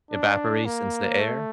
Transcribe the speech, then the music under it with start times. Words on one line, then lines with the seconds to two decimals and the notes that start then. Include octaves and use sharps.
evaporates into the air.
0.11 D4
0.65 A#3
1.19 A3